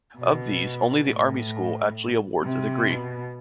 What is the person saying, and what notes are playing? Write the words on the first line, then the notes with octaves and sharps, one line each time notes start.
Of these, only the Army school actually awards a degree.
B2
A2
C3
B2